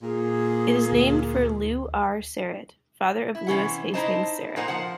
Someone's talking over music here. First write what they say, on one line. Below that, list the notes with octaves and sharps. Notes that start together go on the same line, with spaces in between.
It is named for Lew R. Sarett, father of Lewis Hastings Sarett.
A#2 G#4
D2
E4
C3 E3 C#4 F#5
D#4 E4 C5 D#5 A5
A#2 A#3 D#4 C5 F#5 A#5
F3 C5 F#5